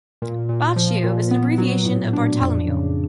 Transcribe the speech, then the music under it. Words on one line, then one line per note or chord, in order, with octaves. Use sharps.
Baccio is an abbreviation of Bartolomeo.
A#2
A#2
F3
A#2
B3
F#3
A2
D4
F2
C#3